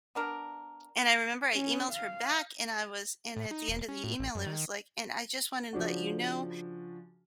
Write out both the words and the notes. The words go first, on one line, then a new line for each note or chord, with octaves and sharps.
And I remember I emailed her back, and I was and at the end of the email, it was like, "And I just wanted to let you know
B3 D4 A#4
C#4
F5
A2
D#4
E1
C#4
A2
A1
F#2
D#3
C#3 F3 D4 F#4